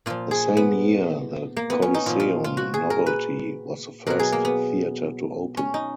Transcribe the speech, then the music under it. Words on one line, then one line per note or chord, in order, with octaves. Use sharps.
The same year "The Coliseum Novelty" was the first theater to open.
A#2 F3 F4
G#4
B3
A#3
B3
C#4
D#4
A#2 F3 F4
F4
F4
F#4
G#4
A#4
B4
B2 F#3 A#4
G#4
A#3
B3
C#4
D#4